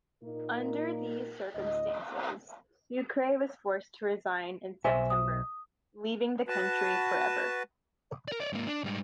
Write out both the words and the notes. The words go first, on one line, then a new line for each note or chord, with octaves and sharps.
Under these circumstances, Sucre was forced to resign in September, leaving the country forever.
A#2 A#3 D#4 A#4
D2 A2 D#5
B1 C5 E5 G#5
D#6
F#4 B4 A5
A#4 D5
C#5 D5
G#2 A#3
D4
G#2 G3